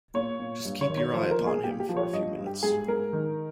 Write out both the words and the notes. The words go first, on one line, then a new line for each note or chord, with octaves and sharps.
Just keep your eye upon him for a few minutes.
A#2 C#5
A#2
G2
C#5
D#3
C#5
F3 C5
A#4
A#2
G#4
A#2 G4
G4
F3
C#5
G2 D#5
G2
G4
G#2 G#4
G#2 A#4
D#3